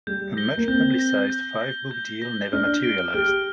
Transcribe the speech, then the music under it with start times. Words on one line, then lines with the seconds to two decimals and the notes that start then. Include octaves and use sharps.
A much-publicised five-book deal never materialised.
0.07 G3 G6
0.37 A#6 G7
0.57 A#3
0.67 C4 G6
0.99 A#6 G7
1.30 G6
1.61 A#6 G7
1.91 G6
2.22 A#6 G7
2.53 D4 F6
2.83 D7 G7
3.14 G4 F6